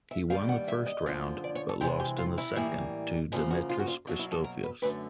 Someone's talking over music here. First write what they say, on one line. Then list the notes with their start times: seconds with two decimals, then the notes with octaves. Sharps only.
He won the first round, but lost in the second to Demetris Christofias.
0.11 E5
0.30 G2 D#3 G3 A#3 F5
0.49 F#5
0.68 E5
0.86 D#5
1.06 F#2 D3 F3 A#3
1.44 D5
1.55 C#5
1.69 A4
1.81 C3 E3 G#3 G4
2.00 G4
2.18 F4
2.38 E4
2.56 A2 E3 G3 A#3
3.32 F#2 C#3 F3 A#3 A4
3.50 F#4
3.69 F4
3.79 F#4
3.88 F4
4.07 B2 F#3 A#3 F4
4.19 E4
4.32 A4
4.44 A#4
4.63 B4
4.82 F#2 D3 F#3 A3 B4